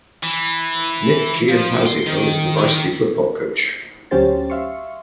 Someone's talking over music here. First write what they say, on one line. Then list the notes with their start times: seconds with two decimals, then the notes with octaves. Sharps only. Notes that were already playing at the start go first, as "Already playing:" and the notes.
Nick Giannatasio is the Varsity Football Coach.
0.23 E3
1.49 F3
1.86 C6
2.06 D#3
4.11 D2 F#3 C#4 G4 C5 A6
4.50 E5 F5 C6 C#6